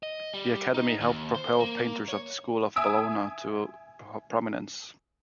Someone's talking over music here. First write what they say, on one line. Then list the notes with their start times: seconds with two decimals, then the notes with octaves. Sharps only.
The academy helped propel painters of the School of Bologna to prominence.
0.03 D#5
0.33 G3
0.74 D#4
1.01 D#2
1.35 C5
1.59 A#3
2.09 C#5
2.76 E5 G#5 D#6 E6 D7